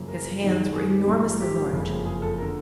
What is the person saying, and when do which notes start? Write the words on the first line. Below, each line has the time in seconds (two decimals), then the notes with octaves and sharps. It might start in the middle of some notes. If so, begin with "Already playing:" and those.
His hands were enormously large.
Already playing: F#2 C#3 F3 A#3
0.08 A#4
0.41 F#2 D#3 G#3
0.75 G#4
0.91 G4
1.07 A#1 G#2 F3 A#3
1.40 G4
1.73 F#1 F2 C#3
2.05 G#4
2.22 A4
2.38 A#4
2.42 D3